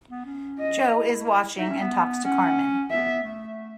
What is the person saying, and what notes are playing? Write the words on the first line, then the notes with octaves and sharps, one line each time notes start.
Joe is watching and talks to Carmen.
B3
C#4
D#5
E4
D#4 E5
C#4
B3
C#4 F#5
B3 E5
A3